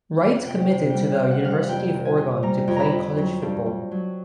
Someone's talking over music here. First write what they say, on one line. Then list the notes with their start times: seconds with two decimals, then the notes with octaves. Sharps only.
Wright committed to the University of Oregon to play college football.
0.21 F2 G5
0.34 F#5
0.45 C3 G5
0.70 C3
0.90 G3 F#5 G5
1.14 F5
1.19 C3
1.31 F#5
1.44 G3 F5
1.51 F#5
1.68 F2 G5
1.94 C3
2.05 G#5
2.18 C3
2.43 G3 A#5
2.68 F2
2.76 A#5 B5
2.92 F2
3.16 F#3
3.42 G2
3.66 G2
3.91 F#3